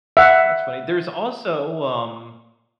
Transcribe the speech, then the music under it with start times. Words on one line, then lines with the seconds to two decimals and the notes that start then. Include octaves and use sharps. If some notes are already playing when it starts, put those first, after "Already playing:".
That's funny. There's also, um
0.17 E5 F#5